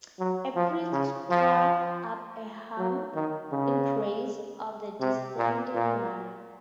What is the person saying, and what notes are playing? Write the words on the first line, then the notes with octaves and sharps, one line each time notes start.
A priest struck up a hymn in praise of the descending light.
F#3
F3
C#3
F3
F#3
D#3
C#3
C3
A#2
A#2